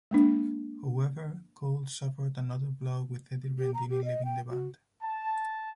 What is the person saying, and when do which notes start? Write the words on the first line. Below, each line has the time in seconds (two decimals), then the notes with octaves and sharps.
However, Cold suffered another blow with Eddie Rendini leaving the band.
0.11 G#3 A#3 D4
3.58 G4
3.74 A#5
3.90 G4
4.05 D#5
4.25 G5
4.50 F#4
5.02 A5